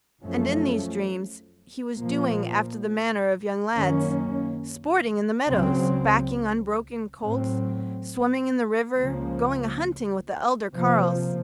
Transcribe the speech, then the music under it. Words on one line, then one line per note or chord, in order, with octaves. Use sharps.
And in these dreams he was doing after the manner of young lads, sporting in the meadows, backing unbroken colts, swimming in the river, going a-hunting with the elder carles.
F#2 F3 A3 C#4
A#2 F3 A#3
F#2 D#3 A#3 C#4
C#2 C#3 F#3 C4
A2 F#3 C4
C#2 C#3 F3 A#3
C3 F3 A#3